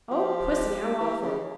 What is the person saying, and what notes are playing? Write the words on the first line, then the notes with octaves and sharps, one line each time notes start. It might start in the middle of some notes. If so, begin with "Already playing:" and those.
'Oh, Pussy, how awful!
F3 G4
E3
C#3